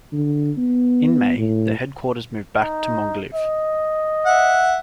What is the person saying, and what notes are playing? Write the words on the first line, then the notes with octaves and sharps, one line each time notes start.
In May, the headquarters moved back to Mogilev.
D3
B3
A2
D#4
D#5
E5 F#5